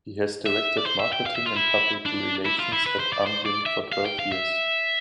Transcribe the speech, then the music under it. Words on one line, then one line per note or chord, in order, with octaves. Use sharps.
He has directed marketing and public relations at Amblin for twelve years.
E5
D5
C5
E5
G5
F5
E5
F4
E4
D4
E4
F4
E4
B4
C5
D5
C5
D5
E5
F5
G5
F5
E5